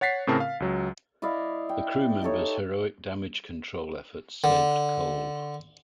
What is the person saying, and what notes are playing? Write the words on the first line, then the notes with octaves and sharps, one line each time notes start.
The crewmember's heroic damage control efforts saved "Cole".
C#5 F#5 A6 B6 C7
A2 C#3 C4 A#4 A5
F5
C#2 F#3
E4 D5 D#5 F5
G5
D#4 G4 A4 C#5
D3